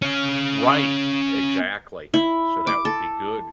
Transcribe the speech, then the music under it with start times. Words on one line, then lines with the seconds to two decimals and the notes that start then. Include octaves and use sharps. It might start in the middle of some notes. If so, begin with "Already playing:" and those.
Right! Exactly. So, that would be good.
0.02 C#4 F5
2.14 E4
2.67 D6
2.85 A4